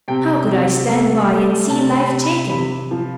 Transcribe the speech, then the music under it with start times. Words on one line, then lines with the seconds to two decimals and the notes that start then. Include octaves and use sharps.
How could I stand by and see life taken?
0.08 C3 G5
0.48 C3
0.88 A3
1.29 A3
1.69 C3 A5
1.96 B5
2.09 C3
2.24 B5
2.49 C3 B5
2.91 F3